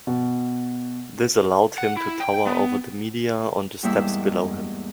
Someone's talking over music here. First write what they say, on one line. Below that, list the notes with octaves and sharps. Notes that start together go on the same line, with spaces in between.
This allowed him to tower over the media on the steps below him.
B2
F#5
E4
G5
B3
E2 G#2 G3 A#3 E4 E6